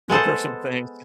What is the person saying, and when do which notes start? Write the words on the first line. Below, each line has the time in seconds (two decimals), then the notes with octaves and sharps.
for some things.
0.10 G#3 B3 A4 C5